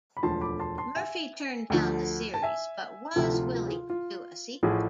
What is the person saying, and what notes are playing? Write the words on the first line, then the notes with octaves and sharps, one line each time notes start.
Murphy turned down the series but was willing to do a sequel.
B5
E1 D2 D3 F3 A5 C6
B5 D6
A5 C6
A5 C6
E5 G#5
D2 D3 F3
A5
E5 G#5
D2 C3 F3 F4 A4
F4
F4
G#4
F4
F4
A1 A2 F3 G#4